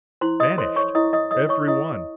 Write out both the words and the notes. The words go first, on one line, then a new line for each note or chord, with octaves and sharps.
Vanished, every one!
E4 C5 C6
D#5 D#6
A4 C5 C#5 C6
C#5 C#6
E4 D#5 D#6
D#5 D#6
A4 C#5 D#5 D#6
C#5 C#6
E4 D#5 D#6